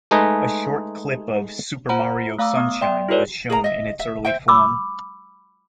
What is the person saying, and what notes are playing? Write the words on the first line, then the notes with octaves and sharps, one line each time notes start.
A short clip of "Super Mario Sunshine" was shown in its early form.
G#3 A3 D#4 G#4 B4 D#5
F4 C5 F#5 A#5 B5
A3 F5 A#5 D6 E6
B3 D#6
D5 E5 G5 C6
E4 F#4 A4 B4 C#5 D5
G#4 A#4 E5 A#5
D#5 E5
E5
C5 E5 G5
B5 D6 E6